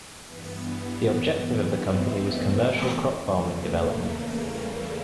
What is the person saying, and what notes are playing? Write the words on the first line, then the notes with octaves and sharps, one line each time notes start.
The objective of the company was commercial crop farming development.
G2 E3 B3
C4
B3
A3
E2 C#3 E3
A3
A#3
A#3
G3